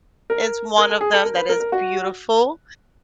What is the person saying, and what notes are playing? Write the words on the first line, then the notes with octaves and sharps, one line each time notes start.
is one of them that is beautiful,
A#4
A#4
A4
G#4
A4
A#4
B4
A#4
A#4
F#4